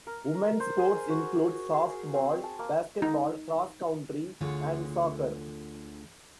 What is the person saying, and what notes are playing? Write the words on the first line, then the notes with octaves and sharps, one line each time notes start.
Women's sports include softball, basketball, cross country, and soccer.
A#4
A#4
C5
G#4
F#4
G#4
C4
A5
A#3
D#4
D2 D3 F4 G#4 C#5